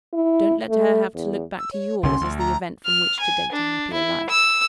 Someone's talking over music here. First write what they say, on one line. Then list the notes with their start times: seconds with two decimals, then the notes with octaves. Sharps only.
Don't let her have to look back to yours, as the event from which to date a happier life.
0.13 E4
0.70 A3
1.15 E2
1.58 E6
1.72 C#5
2.03 C2 D3 C#4 C6
2.21 D2
2.39 A#5
2.86 F6
3.20 G#5
3.53 D4
3.94 E4
4.30 E6